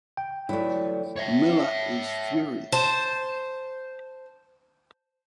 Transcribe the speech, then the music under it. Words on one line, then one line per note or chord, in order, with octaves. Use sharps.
Miller is furious.
G5
E3 F#3 A3 E4 C#5 D5
C#5 E5
C5 A5